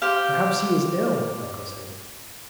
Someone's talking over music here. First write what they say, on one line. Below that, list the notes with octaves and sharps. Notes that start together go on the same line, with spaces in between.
"Perhaps he is ill," Michael said.
G4 C5 F5